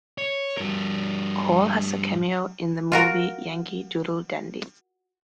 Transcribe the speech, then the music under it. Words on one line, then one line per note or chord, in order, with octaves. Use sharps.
Hall has a cameo in the movie Yankee Doodle Dandy.
C#5
G2 A#4
F4 F#4 A#4